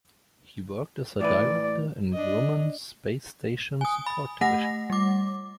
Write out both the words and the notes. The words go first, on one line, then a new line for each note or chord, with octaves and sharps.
He worked as a Director in Grumman's Space Station Support Division.
A2 E3 B4 D5
D4 D#5
G#5 D#6
B5
A3 F#5 A#6
G3 D6